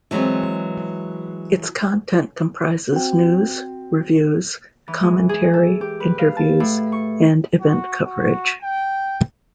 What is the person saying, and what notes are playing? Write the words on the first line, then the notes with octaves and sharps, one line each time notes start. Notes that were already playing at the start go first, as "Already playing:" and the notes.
Its content comprises news, reviews, commentary, interviews, and event coverage.
E3 F#3 G#3 B3 C4
C4 F#4 G5
E3
G#3
G#4
A4
G4
B4
F5
A5
A2
C#6
F#4
F#4
G5